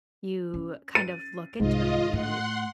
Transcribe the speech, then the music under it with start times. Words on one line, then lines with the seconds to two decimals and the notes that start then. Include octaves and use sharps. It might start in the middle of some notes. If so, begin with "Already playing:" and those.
you kind of look into it, and you
0.54 C#4
0.95 A6 D#7
1.60 C2 G#2 F4 D#5
2.13 A2 F#5 C6 F#6